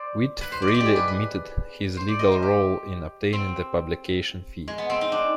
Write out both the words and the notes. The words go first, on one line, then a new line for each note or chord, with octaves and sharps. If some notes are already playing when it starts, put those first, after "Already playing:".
Witt freely admitted his legal role in obtaining the publication fee.
Already playing: C5 D5
B4
C5
D5
D#5
D5
G4
G#4
B4
B4
C5
D5
D#5
C5
G4
C4
G#3
B3
C4
D#4
D4